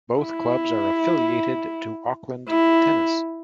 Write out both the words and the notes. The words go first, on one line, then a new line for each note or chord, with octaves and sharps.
Both clubs are affiliated to Auckland Tennis.
E4
E4